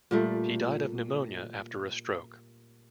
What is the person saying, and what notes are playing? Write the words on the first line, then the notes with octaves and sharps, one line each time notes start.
He died of pneumonia, after a stroke.
A#2 G3 A3